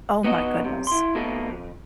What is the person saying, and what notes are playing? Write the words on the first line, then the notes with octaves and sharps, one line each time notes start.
Oh my goodness.
B3 D#4 F#4 D#5
B1 C3
E4 C6
B2 D#3 A3 A#3
F2